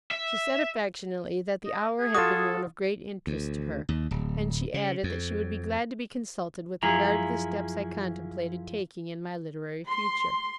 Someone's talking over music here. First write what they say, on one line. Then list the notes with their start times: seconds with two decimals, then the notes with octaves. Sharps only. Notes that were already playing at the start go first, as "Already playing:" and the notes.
She said affectionately that the hour had been one of great interest to her, and she added that she would be glad to be consulted with regard to the steps I contemplated taking in my literary future.
0.12 E5
1.66 D#5
2.00 G#4
2.15 F4 F#4 A4 D#6
3.27 D2
3.89 D#2
4.11 D1
4.74 C#3
5.04 F2
6.83 F#2 F3 E4 G#4 A#5
9.87 C6